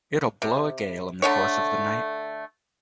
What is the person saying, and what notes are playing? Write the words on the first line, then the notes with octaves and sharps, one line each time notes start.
It'll blow a gale in the course of the night!
C3
D3 A3 C#5